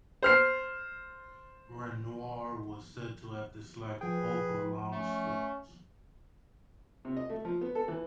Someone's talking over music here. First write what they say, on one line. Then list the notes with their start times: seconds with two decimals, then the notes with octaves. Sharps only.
Renoir was said to have disliked both of Lang's films.
0.22 C5 F6 C7
4.01 F3 G#4 B4 G5
4.92 A3 C#4
7.05 C3
7.17 D#5
7.30 A3
7.45 F3
7.61 B3
7.75 A4
7.88 E3